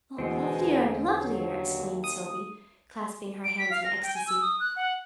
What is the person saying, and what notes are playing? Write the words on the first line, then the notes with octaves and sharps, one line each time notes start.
"Lovelier and lovelier!" exclaimed Sylvie, clasping her hands in ecstasy.
E2 B2 D3 G#3 B3 C4
D#2 F#3
D#6
D7
B6
F5
A#6
G5
G#5
E6
D#6
F#6
F#5